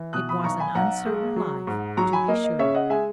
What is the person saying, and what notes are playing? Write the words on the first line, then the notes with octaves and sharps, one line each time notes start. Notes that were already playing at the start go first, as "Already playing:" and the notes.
It was an uncertain life, to be sure.
Already playing: E3
B2 D#6 F#6
B5 D#6
B1 A#5 C#6
G#5 B5
B1 F#5 A#5
G#3
F#3
G#2
F#3 A#5 C#6
G#5 B5
A#3 D#5
D#5
C#3 C#5 E5
D#5 F#5
G#3 E5 G#5